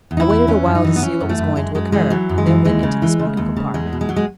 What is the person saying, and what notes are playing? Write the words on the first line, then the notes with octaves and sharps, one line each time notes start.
I waited awhile to see what was going to occur, and then went into the smoking-compartment.
E2
D#4
E4
E2
E3 C#4
F#2
D#4
E3
B3
E3 C#4
F#2
A3
F#2
F#2 G#3
F#2 G#3
E3 G#3
E3 F#3
F#2
G#3
E3
D#2 G#3
C#3
E3
C#3
D#2
C#3
E2 G#3
B2
G#3
B2 F#3
G#3